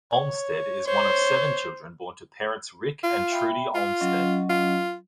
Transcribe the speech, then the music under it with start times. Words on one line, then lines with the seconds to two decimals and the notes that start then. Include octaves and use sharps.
Olmstead is one of seven children born to parents Rick and Trudy Olmstead.
0.13 C#5
0.88 C5 C#5
3.04 F4
3.30 E5 G5 B5
3.75 F4
4.00 F#3 C#4 D#5
4.50 F4